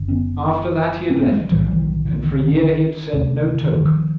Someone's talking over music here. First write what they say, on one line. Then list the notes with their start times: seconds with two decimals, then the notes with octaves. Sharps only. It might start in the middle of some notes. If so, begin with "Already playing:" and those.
After that he had left her, and for a year had sent no token.
Already playing: F#1 F#2 D3
0.08 B3 C#4
1.10 C4 D4
1.20 B3 C#4
1.30 F#3 G#3
1.41 F3 G3
1.51 B1 A2 E3 F#3
1.61 F3 G3
1.71 E3 F#3
1.81 D#3
1.92 D#3
2.05 D3 E3
2.19 D#3
2.32 D3
2.43 D#3
2.52 D3 E3
2.63 D#3
3.13 D2 C3
3.55 D3
3.65 D#3
3.74 D3 E3
3.85 D#3 F3